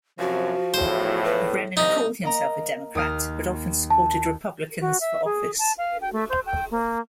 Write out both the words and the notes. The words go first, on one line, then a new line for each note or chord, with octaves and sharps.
Brennan called himself a Democrat, but often supported Republicans for office.
F#2 C3 F3 F#4
E2 A2 C5
B4
C2 D#4 D#5
A#3 D#5 A#5
D#2 D#6 F6
A5
F#4
E5
G#4
A5
F5
G5
A3
C5
G5
A#3